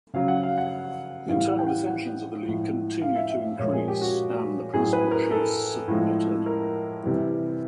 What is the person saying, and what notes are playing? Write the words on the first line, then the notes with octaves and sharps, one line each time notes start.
The internal dissensions of the league continued to increase, and the principal chiefs submitted.
C#3 F#3 F5
F#5
F5
F#5
A2 E3 G3 F5
F#5
G5
F#5
F#5
A2 F3 G#3
F5
E5
E5
A#2 F3 G#3 C#5
G#4
G4
F#4
A2 F#3 G#4
B4
A#4
A4
A2 F3 G#3
A#4
C3 E3 G3